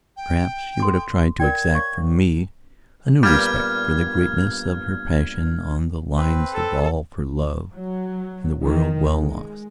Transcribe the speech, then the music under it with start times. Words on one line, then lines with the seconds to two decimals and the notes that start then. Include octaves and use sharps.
Or perhaps she would have tried to exact from me a new respect for the greatness of her passion on the lines of all for love and the world well lost.
0.17 G5
0.80 A4 C6 D6
1.40 A#4 D5 G5 G#6
1.73 C#5 F5 C#6
3.23 G2 A#2 G3 B3 F6 G#6
6.17 C4 B4
6.53 A4
7.74 F#3
8.64 D#3
9.16 G#3